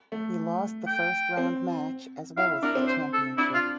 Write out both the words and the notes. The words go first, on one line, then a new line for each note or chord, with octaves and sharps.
He lost the first round match as well as the championship.
A3
G5
C4
E4 F5
D4 A#4
C4
C5
A4
D4 E4
F4